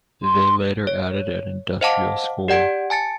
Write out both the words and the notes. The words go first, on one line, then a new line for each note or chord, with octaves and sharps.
They later added an Industrial School.
C6
C#5
C5 D#5 F5 F#5 A5 D6
G4 D5 F#5 G#6 D7
G#5 A5 A6 C#7